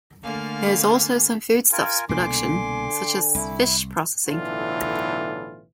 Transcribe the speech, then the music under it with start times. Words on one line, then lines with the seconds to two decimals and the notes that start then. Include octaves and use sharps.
There is also some foodstuffs production, such as fish processing.
0.22 D3 A3 A#3 F5 G#5
1.72 F4 A#4 G#5
2.09 C2 B2 D3 A#3 G#5 C6 D6
3.35 C2 E4
4.27 B1 A2 D3 E3 F4